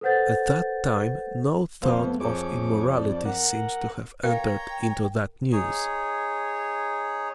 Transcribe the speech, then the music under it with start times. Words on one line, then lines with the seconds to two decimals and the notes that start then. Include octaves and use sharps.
At that time no thought of immorality seems to have entered into that news.
0.01 A4 B4 C5 F#5 G6 A6
1.82 F2 A#3 C5 F5
2.04 A3 B3
2.20 F2 G#4 C#5 D6
2.90 D5
3.25 A#4 F#5
4.23 A#4 C#5 F5 G5 A#5
5.52 D#4 G#4 C#5